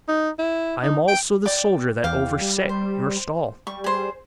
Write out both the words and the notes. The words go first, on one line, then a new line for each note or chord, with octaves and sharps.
I am also the soldier that overset your stall.
D#4
E4
D#4
G5
D5 G5 D6
E2 F5 G5 D6
G3
C5
G3 C#6
G#4 C5